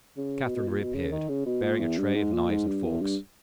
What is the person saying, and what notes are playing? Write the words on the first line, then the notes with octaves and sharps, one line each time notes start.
Catherine reappeared, bearing a tray of knives and forks.
C#3
B2
B2
A#2
B2
C#3
D#3
C#3
B2
A#2
E2
G2
G#2
A#2
G#2
G2
E2
G2